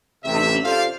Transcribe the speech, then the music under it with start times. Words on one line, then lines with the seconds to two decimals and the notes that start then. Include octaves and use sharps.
I think
0.24 A1 C3 E5
0.64 F4 G4 A4 C5 D5 F5